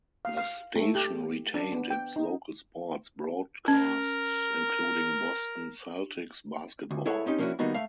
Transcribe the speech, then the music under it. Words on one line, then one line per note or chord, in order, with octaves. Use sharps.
The station retained its local sports broadcasts including Boston Celtics basketball.
F5
F5
A3
G4
D4
B3
G5
D#4
C#4 A#4
D2
E4 G#4 A4 C#5 E5 F#5
C4 C#4 D#4 G4
F3 A#3 C#4 D4 E4 F#4
D#3 G3 A#3 B3 D#4 F#4
A3 E5 F5